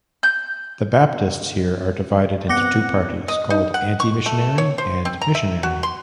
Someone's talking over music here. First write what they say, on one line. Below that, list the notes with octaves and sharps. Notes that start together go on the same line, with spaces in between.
The Baptists here are divided into two parties, called Anti-missionary and Missionary.
G6
B3 C4 F#5 D6 A#6 C#7
D#5
D#4
F#5
C#6
A3
C#5
C5
C4
A#5
E5
F#4
C6